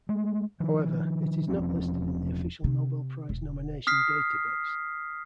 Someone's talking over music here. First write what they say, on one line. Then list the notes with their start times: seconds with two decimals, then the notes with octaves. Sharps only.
However, it is not listed in the official Nobel Prize nomination database.
0.09 G#3 A3
0.60 D#3 F3
1.48 E1 F3 C4 C#4
2.64 C3
3.29 E1
3.87 D#6 F6 B6 C7